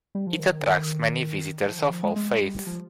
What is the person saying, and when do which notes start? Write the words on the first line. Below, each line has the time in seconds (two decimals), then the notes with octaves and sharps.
It attracts many visitors of all faiths.
0.15 G3
0.27 F3
0.39 D#3
0.52 D#3
0.61 D3
0.70 D#3
1.66 F3
1.79 D#3
1.90 F3
2.03 G#3
2.16 G#3
2.41 G3
2.67 F3